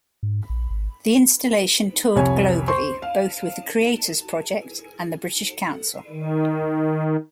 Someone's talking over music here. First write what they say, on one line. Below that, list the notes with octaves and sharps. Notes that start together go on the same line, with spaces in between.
The installation toured globally, both with The Creators Project and The British Council.
G#2
A#1
G#1
C2 F2 C#5 G#5
C5 C6 C#6
F5
D#3